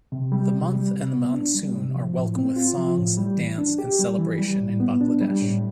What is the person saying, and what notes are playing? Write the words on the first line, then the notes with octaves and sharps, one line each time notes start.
The month and the monsoon are welcome with songs, dance, and celebration in Bangladesh.
C3
G3
C3
G3
C3
B3
D4
G3
C3
F3
A2
C4
F4
F3
A2
G3
E3
D4
G4
G3
E3
G3
A2
B3
D4
G3
A2